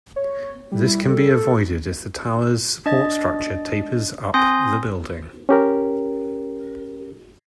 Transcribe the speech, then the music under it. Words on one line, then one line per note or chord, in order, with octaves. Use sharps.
This can be avoided if the tower's support structure tapers up the building.
C#5
G3 E4
A4
D4 D#5 A6
C4 G#5 C6 D#6 G6 A#6
C#4 G4 A#4